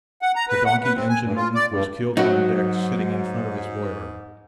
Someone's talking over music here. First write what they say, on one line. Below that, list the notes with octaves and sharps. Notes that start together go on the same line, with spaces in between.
The donkey engineman was killed on deck sitting in front of his boiler.
F#5
A#5
B4
F#5
B4
C4
G#5
G2
F4
D5
G2
G#2 F#3 D#4 F#4